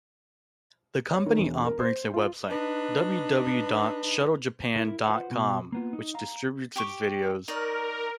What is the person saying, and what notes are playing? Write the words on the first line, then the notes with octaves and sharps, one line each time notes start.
The company operates a website, www dot shuttle-japan dot com, which distributes its videos.
C#5
D#3
E1
A#4
C5
F4
D4 D#4 B4
E4 A#4
F4 B4 C5 F#5
B2 B3 F#4
A#3 B3 F4
D#4
F5 A#5
G4 G5 C#6
D#4 A#4 C#5 D5